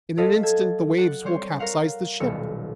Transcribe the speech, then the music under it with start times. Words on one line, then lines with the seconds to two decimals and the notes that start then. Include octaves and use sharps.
In an instant the waves will capsize the ship!
0.17 F#3 A4 D#5 F5 B6 C#7
0.43 A4 G#6
0.98 F#5 A6
1.24 G3 C4 C5 C#5
1.59 A#4 C#5 F5 F#5
2.20 D#1 B1 G3 E6 C#7